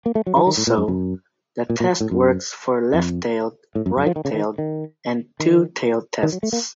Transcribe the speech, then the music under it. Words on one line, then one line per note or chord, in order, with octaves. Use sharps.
Also, the test works for left-tailed, right-tailed, and two-tailed tests.
A#3
A3
F#3
F3
D#3
A2
A#2
F#2
F#2
A#2
A#2
A2
F#2
F2
A2
F#2
F#2
F3
D#3
C#3
D#3
D#3
D#3
D#3
F#3
A3
A#3